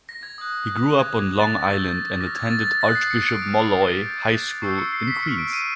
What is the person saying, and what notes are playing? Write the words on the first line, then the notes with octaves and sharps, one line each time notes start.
He grew up on Long Island and attended Archbishop Molloy High School in Queens.
A#6
G#6
D#6 F#6
D6 F#6 G#6
G#6
A6
C#6 E6 G6 A#6
A6
D6 F6 A#6
G#6
A6
A6
D#6 F#6 A#6
C7
C#7
D7
D6 F6 C#7
C7
A#6
D#6 G6
C#6 E6 G6 C7
C#7
C7
B6
C#6 F6 C#7
D7
D#7